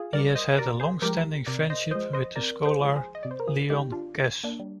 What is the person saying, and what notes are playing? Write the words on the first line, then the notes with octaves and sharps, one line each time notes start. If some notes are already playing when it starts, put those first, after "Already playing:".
He has had a long-standing friendship with the scholar Leon Kass.
Already playing: F4 G#4
G3 A#4 D5
C5 D#5
C3 A#4 D5
G#4 C5
F3 G#3 G4 A#4
C3 A#4 D5
C5 D#5
F3 G#3 C5 D#5
C5 D#5
C3 A#4 D5
G#4 C5
F3 G#3
G#4 C5
D#5
C3 D5
C5
A#4
F4 G#4
D#3 G#3 D#4 G4
D4 F4
D3
A#3 D4
G3